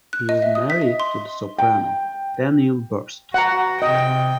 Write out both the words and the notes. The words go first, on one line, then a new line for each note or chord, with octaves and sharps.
He is married to the soprano Danielle Borst.
F#6
D#5
E5
D#6
B6
D#5
C6
G5
F#4 F#5 A#5
C3 D#5 G5